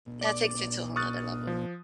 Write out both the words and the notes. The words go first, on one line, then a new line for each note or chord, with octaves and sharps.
That takes it to a whole 'nother level.
D5 D6
C#6 D#6 F6 F#6 A6
F3